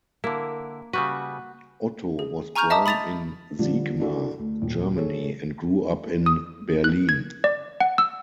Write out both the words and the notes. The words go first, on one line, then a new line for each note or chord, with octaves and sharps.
Otto was born in Siegmar, Germany, and grew up in Berlin.
D3 A#3 E4
C#3 G3 F#4 B4
G#4
G#5 A#5 C#6 F6 G6 F7
D#5 E5 A5 A#5 D6 D#6
B5 D#6 A6 B6 F7
D3 F3 G3 D4
D4 E4 F#4 A4
D2
D#1
G#4 A4 C#5
D#6
F#6
G#6
D5
F#5
E6